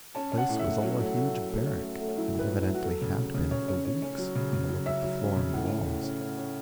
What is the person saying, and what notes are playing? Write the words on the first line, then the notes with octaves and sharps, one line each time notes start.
The place was all a huge barrack, and evidently had been for weeks, from the look of the floor and walls.
C#4 A5
C#4
F#5
A2
E5
A2
F#3 C#4
A3 C#4
A3
F#3
A3
C#4
A3
A3
C#4
F#3 E4
A2 B4
F#3
E4
F#3
F#4
F#3 A4
C#3
C#3
C#3
C#3 C#5
C#4
C#4
C#4
F#3
C#3
C#3
F#3
C#4 E5
F#3
C#4
C#3
A2 F#5
C#4
A2
C#4
C#4
C#4